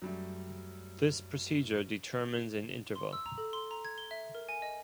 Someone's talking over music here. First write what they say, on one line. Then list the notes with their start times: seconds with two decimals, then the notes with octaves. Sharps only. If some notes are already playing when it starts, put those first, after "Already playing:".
This procedure determines an interval.
0.02 F#2 F#3 G3 A3
2.96 C6
3.13 E6
3.26 A#5
3.38 A4
3.53 C6
3.71 A#5
3.85 G#6
3.98 G7
4.11 E5
4.35 A#4
4.49 G#5
4.62 D#5